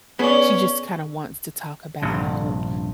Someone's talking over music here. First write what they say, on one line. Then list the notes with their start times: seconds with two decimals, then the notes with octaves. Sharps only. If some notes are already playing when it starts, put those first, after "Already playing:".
she just kinda wants to talk about,
0.19 B3 C#4 G#4 D5
2.02 A#1 G2 C3